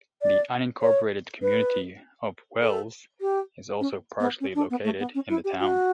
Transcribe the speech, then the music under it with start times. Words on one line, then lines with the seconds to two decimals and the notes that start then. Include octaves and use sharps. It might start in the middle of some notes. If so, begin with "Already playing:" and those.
The unincorporated community of Wells is also partially located in the town.
0.22 D5
0.81 C#5
1.42 B4
2.61 A4
3.21 G4
3.80 C#4
4.20 B3
4.40 C#4
4.55 D4
4.70 B3
4.84 A3
4.99 B3
5.14 C#4
5.29 E4
5.44 G4
5.60 F#4